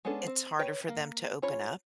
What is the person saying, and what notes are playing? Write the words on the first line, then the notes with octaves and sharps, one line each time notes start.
it's harder for them to open up.
G#3 B3 C#4 D4 A4
C4
B4 C#5 G5
A#3
C#4 F4 C#5 B5